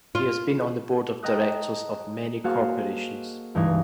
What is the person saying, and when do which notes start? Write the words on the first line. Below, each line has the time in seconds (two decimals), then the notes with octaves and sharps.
He has been on the board of directors of many corporations.
0.15 F4
1.23 A4 D#5 G5 A#5 D#6 F#6
2.44 A#3 F#4 G#4 A4 C5 F5
3.55 C#2 G2 E3 D#4 G#6